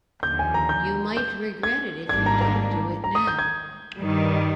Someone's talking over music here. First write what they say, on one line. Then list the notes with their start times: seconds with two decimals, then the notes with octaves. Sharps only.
You might regret it if you don't do it now.
0.23 D#2 D3 F3 G6
0.39 G#5
0.54 A#5
0.69 G6
1.17 G6
1.63 G#6
2.09 G#1 G#2 G3 A#3 D4 G#6
2.26 A#5
2.41 A#5
3.04 A#5
3.15 D#6
3.27 G6
3.39 G#6
3.97 G2 D#3 G3